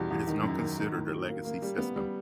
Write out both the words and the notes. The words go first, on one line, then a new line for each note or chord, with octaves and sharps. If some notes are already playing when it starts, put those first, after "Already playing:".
It is now considered a legacy system.
Already playing: E2 B2 G3
E2
D#3
F#2
D#3
D#3
A2
F#3
A#3
A#3
G3
B3
G3